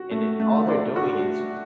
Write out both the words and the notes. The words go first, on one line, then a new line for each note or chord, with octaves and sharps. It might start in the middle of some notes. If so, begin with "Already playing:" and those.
and it all they're doing is
Already playing: F#4
A3
A3
D4
F#4